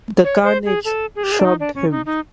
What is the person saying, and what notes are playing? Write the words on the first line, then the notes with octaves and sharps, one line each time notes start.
The carnage shocked him.
C#5
C5
G#4
A4
G#4
G4
G#4
D4
D#4
D4
C#4
D#4
D#4